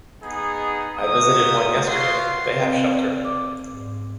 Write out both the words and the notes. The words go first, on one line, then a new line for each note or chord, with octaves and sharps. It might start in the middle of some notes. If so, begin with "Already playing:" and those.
I visited one yesterday, they have shelter.
B3 D#4 G#4
F#4 A#4 E5 D#6
F4 F#4 C6
C4 B4 D#5 F5 G5
D5
D6
G#2